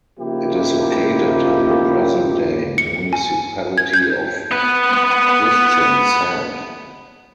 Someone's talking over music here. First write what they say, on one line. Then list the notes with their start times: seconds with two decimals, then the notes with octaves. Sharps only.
It is located in the present-day municipality of Kristiansand.
0.19 C#3 F3 A#3 D#4 E4 G4
2.78 C#7
3.13 G#5
3.78 G#6
3.94 G6
4.51 B3 B4